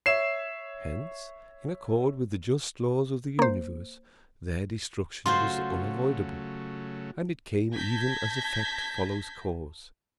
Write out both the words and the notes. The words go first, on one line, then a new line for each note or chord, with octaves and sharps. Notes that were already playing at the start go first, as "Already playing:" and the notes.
Hence in accord with the just laws of the universe their destruction was unavoidable, and it came even as effect follows cause.
C#5 E5 C7 E7
A#3 C5
C#3 F#3 A3 F4 F#4 C5 C6
A5 G6 G#6 A#6 B6